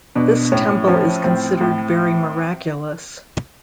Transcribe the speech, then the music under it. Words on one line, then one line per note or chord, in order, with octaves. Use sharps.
This temple is considered very miraculous.
B2 D4
A2 C#4
F3 C#4
A2 C4
A2